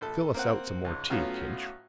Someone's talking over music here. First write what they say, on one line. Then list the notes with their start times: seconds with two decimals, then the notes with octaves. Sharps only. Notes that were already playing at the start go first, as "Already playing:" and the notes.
Fill us out some more tea, Kinch.
0.01 A#1 A4
0.35 A#3 C4 F#5
0.84 C#2 G#2
1.10 A2 F#3 B3 C#4 F4 F#4